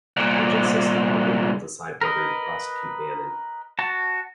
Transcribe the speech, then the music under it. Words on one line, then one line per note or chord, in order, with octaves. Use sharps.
The Justice Department will decide whether to prosecute Bannon.
C2 A#2
A#4 B4 D#5
F#4 A5